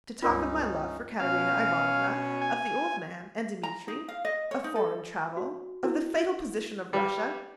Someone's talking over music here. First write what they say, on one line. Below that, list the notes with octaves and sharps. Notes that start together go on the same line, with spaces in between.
To talk of my love for Katerina Ivanovna, of the old man and Dmitri? of foreign travel? of the fatal position of Russia?
C#2 G2 C#4 D#4 F4 A#4 D5
B2 C#4 F5
G#5
A#5
D#4
F5
D#5
C#5
D#4
A4
F#4
E4 F#4 A#4
G3 B4 D6